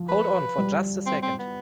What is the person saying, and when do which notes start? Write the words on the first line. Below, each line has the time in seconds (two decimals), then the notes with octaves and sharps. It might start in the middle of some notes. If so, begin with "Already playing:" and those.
Hold on for just a second.
Already playing: F3
0.09 B4
0.58 G3
1.06 C4
1.23 C4
1.39 B3